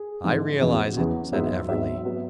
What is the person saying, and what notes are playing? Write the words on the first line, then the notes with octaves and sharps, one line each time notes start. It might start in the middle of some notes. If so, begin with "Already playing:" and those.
"I realize it," said Everley.
Already playing: G#4
G#2 E3 G#3
G#4
E2 C#3 E3 B3 F#4
E2 C#3 E3 B3
G#2 F#3 B3 E5
G#2 F#3 B3 E5
F#3 B3